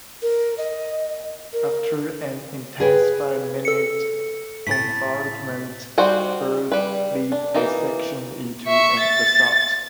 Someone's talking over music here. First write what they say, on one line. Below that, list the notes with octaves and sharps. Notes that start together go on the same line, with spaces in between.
After an intense five-minute bombardment, Brunt led a section into an assault.
A#4
D#5
A#4
G#4 B4 G5
A4 C#7
A2 A6 B6
G3 D#4 F#4 C5 F#5
G3 B4
D4
E3 A#3 D#4
E5 C#6
A6